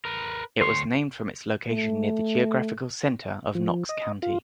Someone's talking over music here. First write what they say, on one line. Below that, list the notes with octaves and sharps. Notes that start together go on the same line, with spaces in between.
It was named from its location near the geographical center of Knox County.
A#4 B4
D2 C#5 C6
A3
F3
D#5
F4